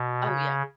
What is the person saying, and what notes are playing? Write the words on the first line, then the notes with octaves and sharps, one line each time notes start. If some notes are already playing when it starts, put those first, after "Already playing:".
Oh, yeah.
Already playing: B2
C#3